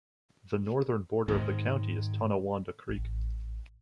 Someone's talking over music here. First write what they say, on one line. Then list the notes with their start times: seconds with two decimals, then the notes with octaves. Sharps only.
The northern border of the county is Tonawanda Creek.
1.28 G#2 D#3 G#3
2.89 A1